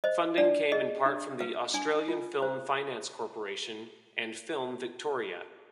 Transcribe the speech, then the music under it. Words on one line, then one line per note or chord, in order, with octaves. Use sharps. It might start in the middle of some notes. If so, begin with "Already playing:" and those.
Funding came in part from the Australian Film Finance Corporation and Film Victoria.
C5 D#5
D4 D5
G#4 D#5
D4
B4 F5
D4 G#5
F4
C5